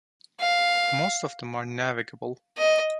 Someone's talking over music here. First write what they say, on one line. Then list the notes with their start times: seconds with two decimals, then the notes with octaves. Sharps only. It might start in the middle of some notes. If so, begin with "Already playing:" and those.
Most of them are navigable.
0.40 F5
2.58 D#5